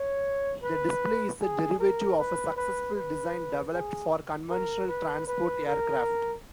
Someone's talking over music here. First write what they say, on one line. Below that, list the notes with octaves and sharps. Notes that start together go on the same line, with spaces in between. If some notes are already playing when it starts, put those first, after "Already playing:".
The display is a derivative of a successful design developed for conventional transport aircraft.
Already playing: C#5
B4
G#4
A#4
B4
B4
B4
G#4
A#4
B4
B4
A#4